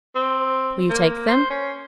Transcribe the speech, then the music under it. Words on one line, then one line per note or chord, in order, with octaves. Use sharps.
"Will you take them?"
C4
A#3
C5
C#4